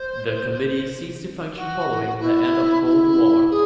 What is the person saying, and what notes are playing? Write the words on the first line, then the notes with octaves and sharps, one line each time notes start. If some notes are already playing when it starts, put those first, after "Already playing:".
The committee ceased to function following the end of Cold War.
Already playing: C5
F#4
E4
E4
G#4